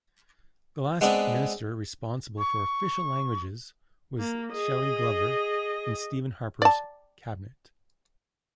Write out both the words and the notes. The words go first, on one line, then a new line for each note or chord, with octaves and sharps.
The last Minister responsible for Official Languages was Shelly Glover in Stephen Harper's Cabinet.
G#3 B3 C4 D4
C#6
A#3
G#4 D#5
D5 A5